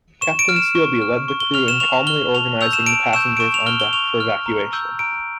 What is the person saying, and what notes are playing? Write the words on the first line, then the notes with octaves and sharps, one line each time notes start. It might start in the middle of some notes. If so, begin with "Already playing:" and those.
Captain Sealby led the crew in calmly organizing the passengers on deck for evacuation.
C#6 E7
D7
F6
E7
C#6
F6
C#6
G7
F6 F7
E7
C#6 F7
F6 G7
A5 F7
C#6 E6 G6 F7
E7
A5 D7
C#6 E6 G6 E7
D7
C#6 E7
F7
F6 G7
G7
C#6 F7
F6
A#5
E6 G6
A#5 D7